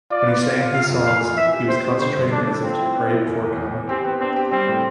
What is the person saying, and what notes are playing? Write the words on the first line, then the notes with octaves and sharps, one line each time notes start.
When he sang his songs, he was concentrating as if to pray before kami.
F4 D5
B3
F4
F4
C3 F5
F2
E3 F5
F2
E3 E5
G4
C4 C5
G4
D3 C5
G2
D3 D4
A3
F3 C4
E4
B3
E4
E2
E2
E2
E3
C4 G4
B3
C4 D4
G4
G3 C4
A2